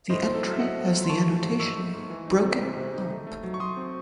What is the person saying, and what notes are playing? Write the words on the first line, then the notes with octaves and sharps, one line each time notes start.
The entry has the annotation "Broken Up".
A2 C5 D#5
A2 C5
A4
F#3
E5
F#3 D#5 F#5
A2
F#3
C6
F#3 A5 C#6
A3
G#2
G#2 C#6 E6
A3
G#2
E3
D#4
C4
C3
C3
D#4
A3
A3
F#3
C#6
F#3 C6 D#6
C4